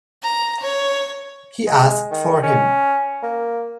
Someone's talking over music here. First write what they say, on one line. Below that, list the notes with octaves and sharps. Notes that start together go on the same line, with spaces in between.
He asked for him.
A#5
C#5
G#3
D#3
C#4
A#3